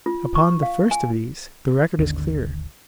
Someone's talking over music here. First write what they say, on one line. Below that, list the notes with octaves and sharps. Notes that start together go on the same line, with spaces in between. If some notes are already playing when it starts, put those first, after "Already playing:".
Upon the first of these, the record is clear.
F4
C#6
F5
G#5
G#1 D#2 D3 C#4